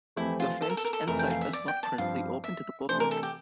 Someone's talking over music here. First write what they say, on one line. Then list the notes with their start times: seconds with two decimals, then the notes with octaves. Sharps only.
The fenced-in site is not currently open to the public.
0.16 F2 E3 A3 C4 E4 G4
0.40 F4
0.62 A4
0.70 A#4
0.77 A4
0.85 A#4
0.93 A4
1.07 F1 F2 E3 A3 A#4
1.19 G5
1.31 F5
1.41 E5
1.53 D5
1.68 G5
1.83 A5
1.98 G2 F3 C4 F5
2.44 E5
2.89 C3 E3 A3 D4 C5
3.00 A#4
3.11 A4
3.23 G4